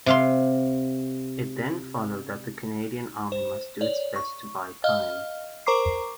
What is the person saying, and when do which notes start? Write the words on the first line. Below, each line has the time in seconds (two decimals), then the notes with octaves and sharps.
It then followed that the Canadian Army must do its best to buy time.
0.06 C3 F5 C6
3.32 C5
3.81 C#5 D5
4.16 C#6
4.84 D#5 F5 F6
5.66 A#4 C5 A#5 C#6 D6 C7